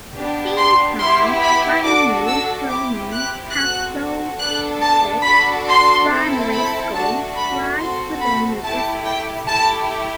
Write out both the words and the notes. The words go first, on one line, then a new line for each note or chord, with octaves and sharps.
Saint John Vianney Roman Catholic Primary School lies within the district.
B3 D4 G4
C6
B3 E4 G4 C6
B5
D4 F#4 A4 D6
E6
C4 E4 G4 D6
F#6
C4 F#4 A4 F#6
B3 D4 A4 F#6
A5
D4 F#4 A4 B5
C6
C4 E4 A4
B5
A3 D4 F#4 A4 A5
B5
C4 F#4 A4 C6
B5
A3 E4 G4 A5
G5
A3 E4 G4 A5